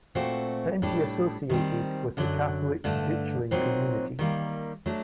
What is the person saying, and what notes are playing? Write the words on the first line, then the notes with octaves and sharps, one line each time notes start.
Penty associated with the Catholic Ditchling Community.
A#2 A3 C4 F#4 A4
A2 G3 D4 A4
D#3 G3 C4
F#2 D3 F#3
G2 D3 A3
A#2 F#3 C4 D#4
D#3 G3 A#3
F#3 A3 D4